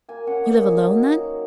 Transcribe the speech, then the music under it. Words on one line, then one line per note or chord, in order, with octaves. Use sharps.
"You live alone, then?"
A#3 G#5
C#4 F#5
A#3 D#5
D#4
F#3
D#4
D#3